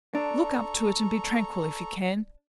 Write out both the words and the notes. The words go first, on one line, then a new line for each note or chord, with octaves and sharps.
Look up to it, and be tranquil if you can.
D4 A4 A#5 C#6